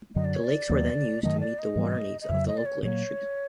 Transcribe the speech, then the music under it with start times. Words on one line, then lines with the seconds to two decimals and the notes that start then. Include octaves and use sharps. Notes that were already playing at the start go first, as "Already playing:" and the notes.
The lakes were then used to meet the water needs of the local industries.
0.15 F#2 D3 F#3 D#5
0.25 D5
0.35 C#5
0.44 D5
0.69 D#2 D#3 F#3 A#3
1.23 G2 D#3 F#3 A3 D#5
1.40 D5
1.59 D#5
1.76 G#2 E3 G3 B3
2.21 D#5
2.29 F2 C#3 F#3 E5
2.47 D#5
2.57 D5
2.66 C#5
2.83 A#2 F#3 A#3 C#5